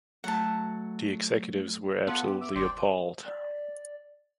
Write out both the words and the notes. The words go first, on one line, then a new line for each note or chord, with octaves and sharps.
The executives were absolutely appalled.
F#3 A3 F#5 A5
B3 F4 A4 F#5
G4
E5 D6
G1 C5 D5 G5
D5